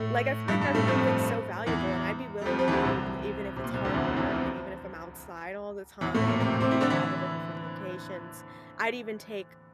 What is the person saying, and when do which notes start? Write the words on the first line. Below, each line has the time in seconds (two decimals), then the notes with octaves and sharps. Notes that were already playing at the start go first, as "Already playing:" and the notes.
Like, I feel like that's something so valuable, and I'd be willing to do it even even if it's hard work and even if I'm outside all the time and have to travel to different locations. I'd even take,
Already playing: A2 A3
0.48 G2 G3
0.61 G2 G3
0.75 A2 A3
0.87 F2 F3
1.66 E2 E3
2.41 G3
2.46 F2 F3
2.59 F2 F3
2.68 E3
2.72 D2 D3
2.85 C2 C3
3.56 C3
3.64 A#2
3.74 C2 C3
3.85 D2 D3
3.93 E2 E3
4.04 F2 F3
4.17 E2 E3
4.30 F2 F3
6.01 E2 E3
6.14 A2 A3
6.27 A#2 A#3
6.40 C3 C4
6.61 C3 C4
6.71 E4
6.81 D3 D4
6.90 E3 E4